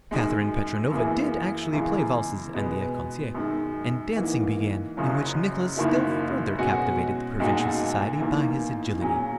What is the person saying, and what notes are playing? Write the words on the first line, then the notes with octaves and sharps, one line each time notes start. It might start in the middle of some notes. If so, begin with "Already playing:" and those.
Catherine Petrovna did actually play valses and the ecossaise, and dancing began in which Nicholas still further captivated the provincial society by his agility.
F#2 D#3 G#3
F#2 E3 A#3 E4 G#4
E2 C#3 E3 G#3
B2 G#3 B3
F#2 D#3 G#3
G#2 E3 A#3
F#1 F#2 C#3 F#3 C#4
F#1 F#2 D#3 A#3 E4
B2 G#3 C#4 F#4
B1 A#2 G#3 D#4 F#4
E2 D#3 A#3
A#2 F#3 C#4 G#4